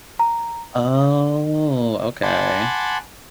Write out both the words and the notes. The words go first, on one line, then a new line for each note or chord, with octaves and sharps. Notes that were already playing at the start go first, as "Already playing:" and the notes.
Oh, okay.
A#5
F#5 G#5 A5 B5 C6 D6